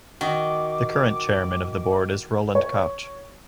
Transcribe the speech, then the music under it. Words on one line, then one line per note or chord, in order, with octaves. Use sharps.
The current chairman of the board is Roland Koch.
D#3 F#4 D#5 D6
C#5